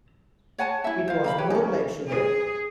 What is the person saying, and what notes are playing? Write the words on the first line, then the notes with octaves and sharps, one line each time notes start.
It was more like sugar.
C#5 F#5 G#5 A5
E4 E5
C5 F5
F5 A#5 B5
G4 B4 C#5
C#4 D#4
G#4